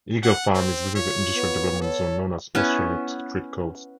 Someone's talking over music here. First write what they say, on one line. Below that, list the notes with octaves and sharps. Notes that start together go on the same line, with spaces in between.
Eagle Farm is within the industrial development zone known as Australia TradeCoast.
F#5
C4 C5
F4 C#5
B3
A4 C#5
B3 C#4 E4